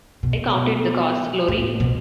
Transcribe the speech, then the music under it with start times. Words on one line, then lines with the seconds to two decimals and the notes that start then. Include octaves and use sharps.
I counted the cost, Lori.
0.23 B2
1.48 A2
1.80 B2